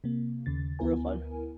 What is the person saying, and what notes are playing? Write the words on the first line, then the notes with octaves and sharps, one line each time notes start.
Real fun.
C3 A#3
D#2 C#3 A6
D2 B3 E4 A#4 G#5